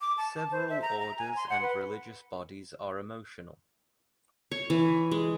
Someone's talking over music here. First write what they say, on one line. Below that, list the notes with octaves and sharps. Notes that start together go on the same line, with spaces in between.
Several orders and religious bodies are emotional.
D6
A5
C5
E5
A#5
A#5
G#5
C6
F#5
B4
C#5
E3
G#3